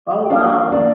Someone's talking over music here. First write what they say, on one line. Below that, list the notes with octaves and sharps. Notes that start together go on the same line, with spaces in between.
Oh, wow.
G5
A#3 D4 F5
A#3 D4 D5